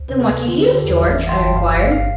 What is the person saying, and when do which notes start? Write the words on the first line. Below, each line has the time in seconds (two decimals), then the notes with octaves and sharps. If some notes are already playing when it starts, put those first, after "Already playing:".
"Then what do you use, George?" I inquired.
Already playing: D2
0.09 C3 B4
0.20 A4
0.30 D2
0.47 D3 F4
0.61 G4
0.65 D3
0.75 A4
0.84 E2 B4
1.01 G1 E5
1.16 E5
1.19 E3
1.29 C6
1.37 G1 G5 A5
1.55 G2 F5
1.74 A1 F5
1.92 F5